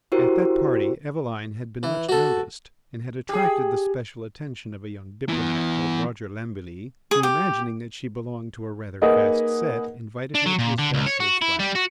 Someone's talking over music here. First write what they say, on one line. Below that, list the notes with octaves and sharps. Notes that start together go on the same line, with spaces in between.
At that party Eveline had been much noticed and had attracted the special attention of a young diplomat called Roger Lambilly who, imagining that she belonged to a rather fast set, invited her to his bachelor's flat.
E4 F#4 G4 A#4 C5
E3
F#4 A4
G4 G#4
E3 B3
G#4
G4
A#3 D#4 G#4 B4 D#5 F#5
D4
F#3
A#2
D3
C#2
C#5
F#4
E4
G3
F#4